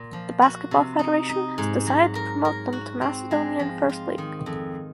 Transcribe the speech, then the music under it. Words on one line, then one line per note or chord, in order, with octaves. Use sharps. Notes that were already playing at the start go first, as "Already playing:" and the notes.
The Basketball Federation has decided to promote them to Macedonian First League.
Already playing: A#2
F3
F#4
C3
D#4
D#4
G#2
F#3
A#4
A#4
F#4
C4
G#3
F3
F4
D#3
F2